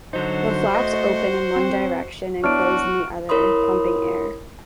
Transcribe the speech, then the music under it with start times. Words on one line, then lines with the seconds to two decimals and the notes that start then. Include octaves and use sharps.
The flaps open in one direction and close in the other, pumping air.
0.13 D3 F#3 D#4 F#4 C5
0.75 A3 D#5
1.56 C4
2.44 B3 D4 E4 F#4 C#5 F6 D7
3.29 E4 A#4 C#5 B5 C6 D#6